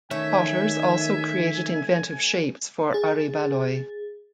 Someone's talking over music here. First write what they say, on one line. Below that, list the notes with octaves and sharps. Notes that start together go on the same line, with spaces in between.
Potters also created inventive shapes for aryballoi.
D#3 A3 C#4 E5 G#5
G#4 A6